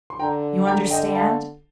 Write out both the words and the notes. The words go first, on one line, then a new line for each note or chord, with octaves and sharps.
You understand?
C6
D3 G5 A#5
D3 G5 A#5
D#5 G5
F5 A5